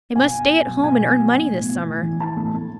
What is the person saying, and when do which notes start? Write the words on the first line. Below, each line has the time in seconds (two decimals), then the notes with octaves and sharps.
I must stay at home and earn money this summer.
0.16 B2 G#5
0.33 B2
0.49 B2
0.66 F#3
0.84 B2 G#5
1.01 F#3
1.18 F#3
1.35 B2
1.52 A2
1.69 A2
1.86 E3
2.03 E3
2.20 E3 A5
2.37 A2
2.54 A2